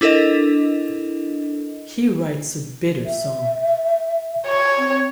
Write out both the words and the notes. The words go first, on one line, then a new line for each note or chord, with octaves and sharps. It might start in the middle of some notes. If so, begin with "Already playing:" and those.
He writes a bitter song.
D4 E4 A4 A#4 D#5
E5
C#5
C4